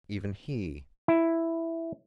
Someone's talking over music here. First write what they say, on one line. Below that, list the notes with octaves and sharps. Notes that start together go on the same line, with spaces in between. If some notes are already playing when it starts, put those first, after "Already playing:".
"Even he!"
E4